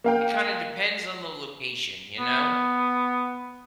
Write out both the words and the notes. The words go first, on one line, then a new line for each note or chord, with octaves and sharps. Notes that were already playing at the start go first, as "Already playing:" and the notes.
it kinda depends on the location, you know?
A#3 F5 G5
B3